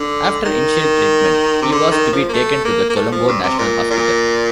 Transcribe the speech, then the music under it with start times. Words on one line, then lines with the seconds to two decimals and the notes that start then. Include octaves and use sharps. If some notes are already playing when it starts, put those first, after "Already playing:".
After initial treatment, he was to be taken to the Colombo National Hospital.
Already playing: D3
0.45 D#3
1.62 C3
1.71 D3
1.91 D#3
2.13 F3
2.29 A#3
2.33 A3
2.65 A#3
2.90 A#3
2.96 A3
3.12 F3
3.28 G2
3.43 C3
3.59 A#2
3.91 A#2